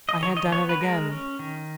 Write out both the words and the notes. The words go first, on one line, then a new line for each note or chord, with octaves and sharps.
I had done it again.
D#5
D#3 C#5
D#5
B3 C#5
B4
G#3 A#4
C#4
D#3